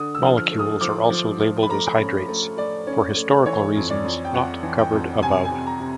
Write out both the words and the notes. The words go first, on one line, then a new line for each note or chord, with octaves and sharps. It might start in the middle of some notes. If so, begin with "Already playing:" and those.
Molecules are also labeled as hydrates for historical reasons not covered above.
Already playing: D3 D#6
E6
F3
F6
A3
D#6
F3 D6
F3
F3
B5
A3 A#5
C#4
A3
A3 D5
C#4
A3
E3 C#5
F2
D5
F2
G5
F2 F#5
E3
G5
F2
C3 G#5
G#5
C3
A#5
C3